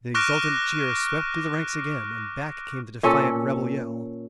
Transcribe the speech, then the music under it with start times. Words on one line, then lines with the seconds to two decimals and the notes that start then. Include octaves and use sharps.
The exultant cheer swept through the ranks again, and back came the defiant rebel yell.
0.14 C#6 D6 F6 F#6 A#6 D7
3.03 A#2 C#4 A4